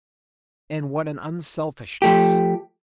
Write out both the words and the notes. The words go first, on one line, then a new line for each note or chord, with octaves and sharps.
And what an unselfishness!
F3 A3 G4